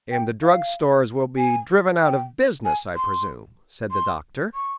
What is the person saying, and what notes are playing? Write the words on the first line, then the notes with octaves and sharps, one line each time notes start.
"And the drug stores will be driven out of business, I presume," said the Doctor.
G5
F5
G#5
G5
G#5
C6
C6
C#6